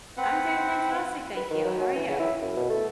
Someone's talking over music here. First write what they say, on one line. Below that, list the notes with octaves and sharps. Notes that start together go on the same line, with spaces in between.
I'm doing fantastic, thank you. How are you?
C4 B4 F#5
B4
D#3
F#3
F#4
E3
C#3
E4
F#2
B2
A3